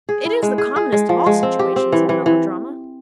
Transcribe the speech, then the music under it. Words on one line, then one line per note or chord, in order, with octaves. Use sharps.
It is the commonest of all situations in a melodrama.
G#4
E4
G#3
G#4
G#4
G#3
F3
G#3
C4
G4
C4
E3
E3
E3